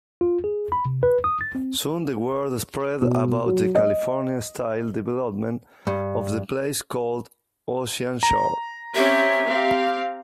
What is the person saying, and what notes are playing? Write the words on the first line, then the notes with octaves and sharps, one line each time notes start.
Soon the word spread about the California-style development of the place called Ocean Shores.
F4
G#4
B5
C3
B4
D#6
A6
C4
B2
F#3
D#5
G2
A#5
C4 C#4 G4 E5
C4 G4 F5